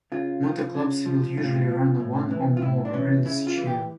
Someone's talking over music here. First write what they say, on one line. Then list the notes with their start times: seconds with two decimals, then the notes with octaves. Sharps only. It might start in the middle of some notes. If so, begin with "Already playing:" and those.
Motor Clubs will usually run one or more rallies each year.
0.12 C#3 F4
0.43 F3
0.74 C#3
1.06 F3
1.37 A2 F4
1.69 F3
2.00 A2
2.31 E3
2.57 F4
2.62 A2 E4
2.85 D4
2.93 E3 C#4
3.25 C#3 E4
3.47 F4
3.57 E3
3.67 G4